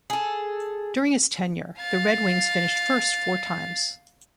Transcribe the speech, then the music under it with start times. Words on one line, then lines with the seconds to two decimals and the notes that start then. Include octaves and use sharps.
During his tenure, the Red Wings finished first four times.
0.10 G#4 A4
1.80 F5 A6